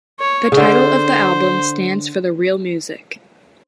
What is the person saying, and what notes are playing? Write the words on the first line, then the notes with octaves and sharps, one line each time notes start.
The title of the album stands for the real music.
C#5
C#3
D3 C5